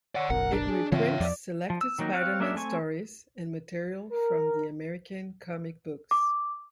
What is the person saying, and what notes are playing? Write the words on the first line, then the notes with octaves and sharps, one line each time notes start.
It reprints selected Spider-Man stories and material from the American comic books.
C#5 D5 F#5
F#1 B1 A#4 F#5
D4
G#4
C#3 E3 C4 F4 C#5 E5
E2 F3 D5
F3
E6
D#3 F#3 A#3 D#4
C4 C#5 F5 F#6
G#3 A#3 C#4 D4 E5
A3 C4 G#5 C#6
A#4
D6